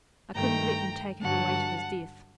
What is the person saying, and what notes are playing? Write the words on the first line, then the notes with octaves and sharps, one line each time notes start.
I couldn't let them take him away to his death.
G2 D#3 A3 G5 A#5
G2 D3 F#3 F#5 A5